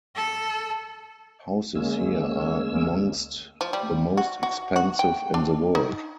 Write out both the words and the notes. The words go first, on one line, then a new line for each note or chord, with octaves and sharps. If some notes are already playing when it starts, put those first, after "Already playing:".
Houses here are amongst the most expensive in the world.
A4
D2 G#3 A#3 C#4 E6
F3
G3
F#4
F#4
F#4
G5
D4
D#4